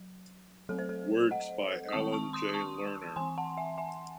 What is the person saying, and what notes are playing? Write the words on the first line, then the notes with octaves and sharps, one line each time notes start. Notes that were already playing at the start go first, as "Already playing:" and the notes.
Words by Alan Jay Lerner.
Already playing: F#3
F#3 A3 C4 A4
C5
A4
D#5 F#5
D#6
D#3 G#3 C4 A5 C#6
A5 C#6
C6 D#6
D#6
A5 C#6
E3 C4 G#5 C6
F#5 A5
E5 G#5
E5 G#5